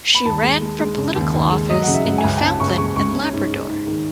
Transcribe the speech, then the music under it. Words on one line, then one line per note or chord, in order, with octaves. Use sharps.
She ran from political office in Newfoundland and Labrador.
B5
D#2 A5
G#3
G#3
G#3
C#3
D#2
D#2
G#3
F#3 D#5
C#3 F#5
E5
C#3
G#5
C#2
G#5
C#2 A5
C#2 C#6
C#3 C#6
C#2 C#6
C#4
G#2
G#2
G#2
D#3